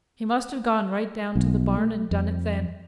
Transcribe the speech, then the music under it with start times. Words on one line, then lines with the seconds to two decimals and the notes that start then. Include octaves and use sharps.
He must have gone right down to the barn and done it then.
1.35 B1
1.77 A3
2.11 F2